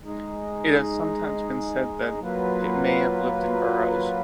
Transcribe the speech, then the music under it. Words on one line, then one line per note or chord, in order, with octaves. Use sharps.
It has sometimes been said that it may have lived in burrows.
G#3 D#4 G#4
F#3 A#3 F4 B4